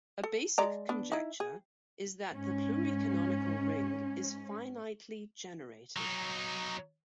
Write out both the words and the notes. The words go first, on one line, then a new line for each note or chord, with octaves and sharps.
A basic conjecture is that the pluricanonical ring is finitely generated.
A4
G#3 D5 A#5
B3 D4
D#4 E4
G#4
G#2 C#4
F#3 D#4